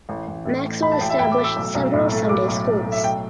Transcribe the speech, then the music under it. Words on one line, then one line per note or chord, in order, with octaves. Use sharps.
Maxwell established several Sunday Schools.
A1
A1
A2
A3
A1 B5
A5
A1 G5
E5
A2 G5
D6
A3
E6
B1
B1
A2
A3
B1 D6
B1
A2
A3
E5
B1 G5